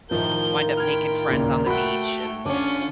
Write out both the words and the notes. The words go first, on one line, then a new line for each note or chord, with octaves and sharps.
wind up making friends on the beach, and
A2 D#3 F3 F4 A#4 G6
G5 B5 F6 G#6
D#2 A#2 C#3
A3 F#4 G5 B5 F#6
D3 C#4 F4 D6